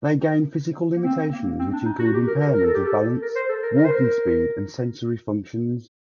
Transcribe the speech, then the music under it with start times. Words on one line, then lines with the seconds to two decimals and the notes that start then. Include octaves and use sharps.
They gain physical limitations which include impairment of balance, walking speed and sensory functions.
0.96 A#3
1.04 C4
1.32 A#3
1.59 C4
1.73 D4
1.86 D#4
1.99 F#4
2.14 G4
2.27 A#4
2.40 A#4
2.54 A#4
2.64 A4
2.74 G4
2.85 A4
3.22 A#4
3.35 C5
3.49 A4
3.63 A#4
3.76 A#4
3.85 C5
3.91 A#4